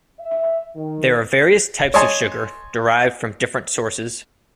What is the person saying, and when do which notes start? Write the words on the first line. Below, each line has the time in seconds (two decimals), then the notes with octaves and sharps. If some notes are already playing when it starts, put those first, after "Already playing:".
There are various types of sugar derived from different sources.
0.20 E5
0.76 D#3
1.94 C#5 D#5 G#5 A5 C6